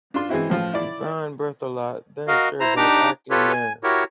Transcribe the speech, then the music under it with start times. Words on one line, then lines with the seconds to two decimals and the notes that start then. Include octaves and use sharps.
Yvan Berthelot then served as acting mayor.
0.14 D4 F4 C6
0.29 E3 G#3 C4 E4 F#4
0.50 A2 F3 F4
0.74 E4 D5
2.28 F#4 A#4 D#5 F5
2.60 E4 C5 A#5
2.77 D4 D#4 G4 A#5 D6
3.30 F4 G4 A4 B4 C#5
3.52 G#5
3.83 E4 F#4 G4 A#4 C#5